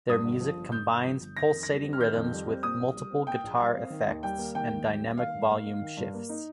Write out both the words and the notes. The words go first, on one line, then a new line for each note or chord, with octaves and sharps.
Their music combines pulsating rhythms with multiple guitar effects and dynamic volume shifts.
G2 D#6
G1
F3
G1
G2 G6
G1
F3
G1
D#3 A#6
F2
A#6
G3
C4
F6
D#3 G6
F2
G3
C4
A#2 D#6
A#1
G3
C4
A#2 G5
A#1
G3 F5
C4
D#3
D#2
G3 G5
A#3
D#3 G5
D#2
G3
A#3
D#3 F5
G2
A#3
D#4
D#3
G2
A#3
D#4